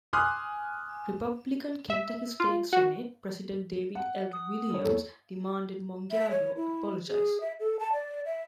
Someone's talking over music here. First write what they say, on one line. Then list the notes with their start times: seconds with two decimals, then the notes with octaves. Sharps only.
Republican Kentucky State Senate President David L. Williams demanded Mongiardo apologize.
0.13 G#5 C6 D6 D#6 F6 F#6
1.90 E5
2.40 F4
2.73 F#4
3.95 F#5
4.33 D#6
4.70 G3 C#5
4.85 E2 A4 C#5
6.12 E5
6.31 C#5
6.56 E4
7.08 G#4
7.41 E5
7.60 A4
7.79 A5
7.93 D5
8.25 E5